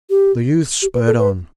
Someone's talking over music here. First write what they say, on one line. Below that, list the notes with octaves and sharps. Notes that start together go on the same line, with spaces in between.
The youths spurred on.
G4
G4
B4
A4
B4